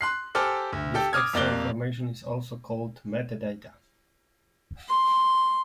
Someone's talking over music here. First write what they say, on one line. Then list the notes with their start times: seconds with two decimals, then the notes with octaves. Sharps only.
This extra information is also called metadata.
0.01 C6 F#6 C7
0.35 G4 A4 C5 G#5 D6 F6
0.73 D2
0.94 G4 A4 G5
1.13 D6 D#6 F6 G#6
1.33 F2 C3 A#3 D5 F#6 G7
4.89 C6